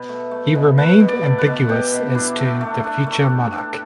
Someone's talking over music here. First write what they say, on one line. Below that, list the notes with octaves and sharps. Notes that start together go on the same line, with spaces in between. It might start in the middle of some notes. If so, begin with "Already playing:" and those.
He remained ambiguous as to the future monarch.
Already playing: B2 B4
A3
A3
B2
A3 B4
B2
D5
A3
B4
B2
B2 G4
B2
D4 E4
A3
A3
D4
A3
D4
D4